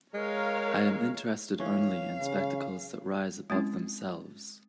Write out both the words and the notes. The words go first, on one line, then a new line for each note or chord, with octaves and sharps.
I am interested only in spectacles that rise above themselves.
G#3 A#4 C#5 F5
E3 C#4 F5
C#3
G#3 C4 C#4 E4